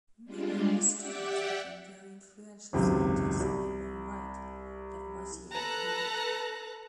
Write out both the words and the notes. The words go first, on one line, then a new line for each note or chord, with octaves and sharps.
Many of his students became very influential scientists in their own right, Lavoisier included.
G3 G#3 D4 F4
G4 D5 E5 F#5 G5
G#1 C#2 F#2 C3
C2
A4 B4 A5 A#5 F#6